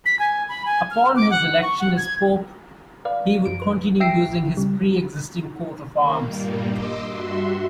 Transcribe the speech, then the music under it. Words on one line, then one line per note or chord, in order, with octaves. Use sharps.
Upon his election as pope, he would continue using his pre-existing coat of arms.
B6
G#5
B5
G#5
F6
D6
F#5
C#6
F#5
G#6
B4 D5 F5
F#2 F3 D7
B4
E5 G5 E6 A#6 C7 D7
A1
C#3 G3
D#3 A#3
G2 A#2 G3 A#3
D#5 C6 D6 E6
G2 F#4 E5 C6